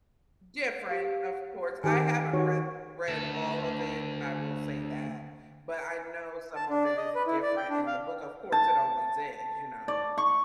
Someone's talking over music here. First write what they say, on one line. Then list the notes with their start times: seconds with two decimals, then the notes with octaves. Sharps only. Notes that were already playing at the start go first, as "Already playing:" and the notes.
Different, of course, I haven't read read all of it, I will say that, but I know some of it is different in the book, of course, it always is, you know,
0.89 G4 F5
1.84 D#3 G4 G#5
2.34 D#3 F#4 C#5
3.08 D2 A4
6.56 A5
6.70 D4
6.84 D5
6.97 D#5
7.15 B4
7.27 E4
7.42 D5
7.57 G5
7.70 D4
7.86 F5
8.52 A5
9.88 D5
10.18 C#6